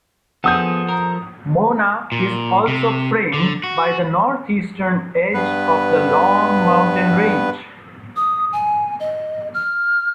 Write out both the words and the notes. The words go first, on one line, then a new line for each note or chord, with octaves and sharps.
Mona is also framed by the north-eastern edge of the Long Mountain range.
F3 B3 G#4 A4 F#5 D#6 G6
A#4
A#2
C3
D3
F#4
G2 B3 B4
D#6
G#5
D#5
F6